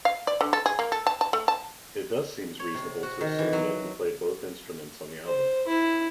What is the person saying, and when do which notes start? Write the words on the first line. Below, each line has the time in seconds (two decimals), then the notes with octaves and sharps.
It thus seems reasonable to assume that he played both instruments on the album.
0.05 F5
0.27 D5
0.41 D3
0.53 A4
0.66 G#4
0.79 A#3
0.92 A4
1.07 A5
1.21 A5
1.33 A3
1.48 A5
2.60 C#5
2.74 C3
3.03 F#4
3.21 D#3
3.39 E3
3.53 F#3
5.26 C5
5.68 E4